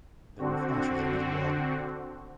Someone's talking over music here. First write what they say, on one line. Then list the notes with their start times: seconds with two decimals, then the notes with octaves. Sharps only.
There were flashes in his blood.
0.39 D3 C4 F#4